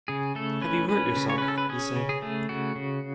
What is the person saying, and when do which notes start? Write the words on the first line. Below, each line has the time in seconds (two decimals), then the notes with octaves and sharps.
Have you hurt yourself?’ he said.
0.08 C#3 G#4
0.35 A3 A4
0.61 C#4 B4
0.89 C#4 B4
1.16 C#3
1.30 C#5
1.38 C#4 B4
1.48 A4
1.58 B4
1.69 C#4 G#4
1.96 C#3
2.09 G#4
2.22 A3
2.49 C#3 F#4
2.76 C#3